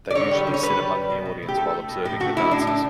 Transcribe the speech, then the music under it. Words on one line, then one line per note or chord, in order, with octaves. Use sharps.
They usually sit among the audience while observing the dances.
D5
D3 C#5
G3
D3
C#5
G3 B4
G3
G3
B2
B2
A3
G4
A3 A4
A3
B2
A2 G4
A3 F#4
A3 E4
A2 D4
A3 D4